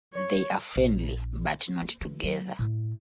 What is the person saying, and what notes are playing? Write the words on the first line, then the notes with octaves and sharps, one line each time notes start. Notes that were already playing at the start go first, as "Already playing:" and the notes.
They are friendly, but not "together".
C#5
A#1
A#3
E3
F#3
A2